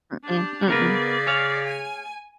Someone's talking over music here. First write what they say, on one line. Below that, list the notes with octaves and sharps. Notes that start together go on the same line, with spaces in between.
Mm-mm, mm-mm.
D4 G4
C#3 B3 A#4 B4 D5
G#4 C#5 F5
G#5